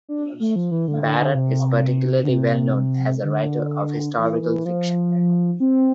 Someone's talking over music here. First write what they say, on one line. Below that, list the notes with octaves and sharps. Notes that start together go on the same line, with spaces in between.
Barrett is particularly well known as a writer of historical fiction.
D4
A3
F3
E3
D3
D3
D3
C3
D3
C3
D3
E3
E3
F3
C4